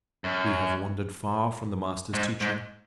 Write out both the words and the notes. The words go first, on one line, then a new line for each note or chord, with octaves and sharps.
We have wandered far from the Master's teaching.
F#2
G#2
G#2